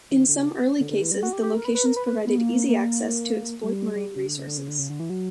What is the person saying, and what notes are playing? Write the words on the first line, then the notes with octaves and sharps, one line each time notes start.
In some early cases the locations provided easy access to exploit marine resources.
E3
D3
D3
C#3
D3
D3
E3
G3
F#4
G4
G4
A#4
B4
B4
A#4
B4
B4
B3
A#3
A#3
G3
G3
C#3
D3
C#3
D3
C#3
D3
C#3
D3
E3
F#3